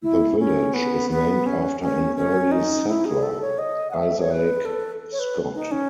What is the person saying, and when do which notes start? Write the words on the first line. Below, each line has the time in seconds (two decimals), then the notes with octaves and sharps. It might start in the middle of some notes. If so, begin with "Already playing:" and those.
The village is named after an early settler, Isaac Scott.
0.03 E4
0.39 C#4
0.74 B3
1.10 B3
1.46 C#4
1.80 C#4
2.16 C#4
2.52 D#4
2.88 E4
3.05 G#4
3.23 A4
3.42 C#5
3.59 D#5
3.91 F#5
3.94 E5
4.20 C#5
4.30 B4
4.65 A4
5.12 C#5
5.19 B4
5.55 D#4
5.71 C#4